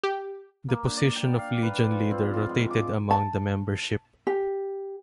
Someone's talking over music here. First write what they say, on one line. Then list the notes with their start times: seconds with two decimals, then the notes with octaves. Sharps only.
The position of Legion leader rotated among the membership.
0.03 G4
0.69 A#3
0.85 D4
0.97 D5
1.16 G5
1.39 F5
1.63 B4
1.92 F3
2.11 C4
2.34 F4
2.49 G#2
2.71 D6
3.11 A5
4.27 G4